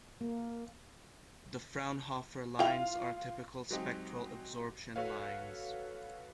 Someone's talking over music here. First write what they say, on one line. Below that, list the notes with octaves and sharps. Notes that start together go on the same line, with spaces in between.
The Fraunhofer lines are typical spectral absorption lines.
A#3
E4 F4 G5 F7
F#3 G#3 C4 D#4 G4
F#4 A4 B4 C#5 F5